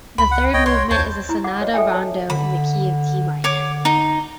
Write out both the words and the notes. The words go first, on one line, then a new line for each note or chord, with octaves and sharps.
The third movement is a sonata-rondo in the key of D minor.
C#2 B5
F#5
C2 C#5 D#5 G5
C#5 C6
D#2 C5 C#5 A5
E4 A#5
F#5 D6
C#5 D#5
A4 E5 G5 G#5
C#5 A5
D3 B5
D3 C#5 D6
D#4